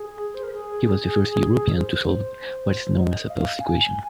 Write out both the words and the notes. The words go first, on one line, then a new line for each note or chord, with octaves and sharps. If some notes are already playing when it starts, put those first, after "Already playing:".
He was the first European to solve what is now known as Pell's equation.
Already playing: G#4
C5
A#4
G#4
A#4
C5
D#5
F5
G#5